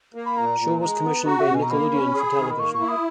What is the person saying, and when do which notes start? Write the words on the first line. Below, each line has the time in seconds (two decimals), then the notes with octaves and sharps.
Show was commissioned by Nickelodeon for television.
0.15 A#3
0.26 B5
0.37 A#2 A#5
0.60 A#2
0.82 G#3 A#5
1.04 B3
1.26 F#4 A#5
1.39 E5
1.47 B2 F#5
1.55 G#5
1.63 A#5
1.70 A#3 B5
1.92 C#4
2.14 G#4
2.37 D#3
2.50 B5
2.59 A#3 C#6
2.74 C#6
2.81 E4
2.88 D#6